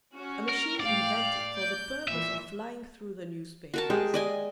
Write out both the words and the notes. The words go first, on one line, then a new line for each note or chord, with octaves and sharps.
A machine invented for the purpose of flying through the newspapers.
C#4 F#4 C#5
A#4
A2 D5 F5 G5
G6
A#2 E3 E5
F#4 A#4 A5
G#3 G4 G#4
D5 D#5 G#5